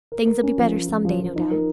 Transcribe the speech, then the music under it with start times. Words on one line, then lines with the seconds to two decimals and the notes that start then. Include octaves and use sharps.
Things'll be better some day, no doubt.'
0.12 A#4
0.27 A#4
0.43 C#4
0.58 F3
0.74 C#4
0.89 F3
1.05 F3
1.20 F3
1.36 D#4
1.51 A#4